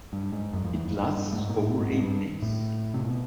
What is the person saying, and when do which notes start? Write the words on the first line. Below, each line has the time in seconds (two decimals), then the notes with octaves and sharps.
It lasts over eight days.
0.13 G2
0.33 G#2
0.53 F#2
0.65 F2
0.75 E2
0.86 F2
0.96 G2
1.17 G2
1.33 A2
1.37 G#2
1.49 A#2
1.58 A2
1.79 G#2
1.92 G#2
2.00 G2
2.42 A2
2.94 C3
3.05 B2